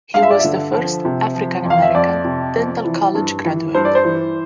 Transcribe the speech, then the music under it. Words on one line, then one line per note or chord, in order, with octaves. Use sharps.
He was the first African-American dental college graduate.
G2 F5
E5
D5
E5
D3
F3
C3
F3
F2
F5
E5
F2 D5
C3
F3
E3
G2
E3
G2 C5
D5
C5
E3